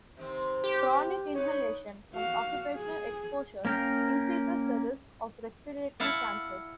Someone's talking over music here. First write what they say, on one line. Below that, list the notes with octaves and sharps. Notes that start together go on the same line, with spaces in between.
Chronic inhalation from occupational exposures increases the risk of respiratory cancers.
C3 D#3 C4
G4
D#4 B4 C#5
F#4 F5
G#4
A#3 C#4 A#4 F5 G5
E4 F5 F#5 A5